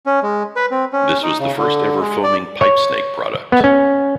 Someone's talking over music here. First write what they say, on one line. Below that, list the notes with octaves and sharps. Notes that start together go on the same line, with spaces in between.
This was the first-ever foaming pipe snake product.
C#4
G#3
B4
C4
C#4
D#4
C#3
D3
G#3
D5
C#5
B3
C#4